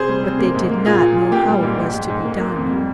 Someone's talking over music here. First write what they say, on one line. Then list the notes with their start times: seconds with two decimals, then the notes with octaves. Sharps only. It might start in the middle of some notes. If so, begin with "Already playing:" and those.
But they did not know how it was to be done.
Already playing: C3 G#4 C5
0.09 G3
0.23 C3
0.39 A#3
0.55 G#2
0.70 A#3
0.85 A#2 F4 G#4
1.01 A#2
1.16 A#2
1.32 A#3 G4
1.48 G3
1.63 G#2
1.78 G#2
1.94 G#2
2.09 G#2
2.25 A#3
2.40 A#3
2.56 F2
2.71 G3